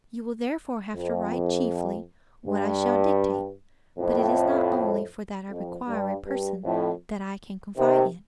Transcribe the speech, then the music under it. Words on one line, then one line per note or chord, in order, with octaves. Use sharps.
You will therefore have to write chiefly what I shall dictate; but it is not only for that I require a person that I can confide in.
F2
G2
F2 A2
F2
G2
G2
F2 A2
C3 D#3